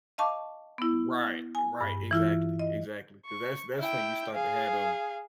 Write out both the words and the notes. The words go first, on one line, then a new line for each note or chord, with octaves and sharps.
Right, right, exactly, exactly, 'cause that's that's when you start to have them,
D#5 F5 A5 C#6 D6
B3 E4
G#5
G2
E3 E4 F4
D#5
C#6
E4 G5
G#4 F5